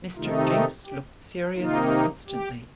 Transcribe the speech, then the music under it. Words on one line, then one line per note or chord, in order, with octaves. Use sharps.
Mr. Jinks looked serious instantly.
C3 D#3 A3 D#4 F4
G4
G4
C3 D#3 A#3 D#4 F4
G4